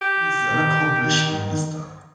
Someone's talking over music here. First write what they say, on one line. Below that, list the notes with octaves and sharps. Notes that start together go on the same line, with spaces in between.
He is an accomplished minister.
G4
D#3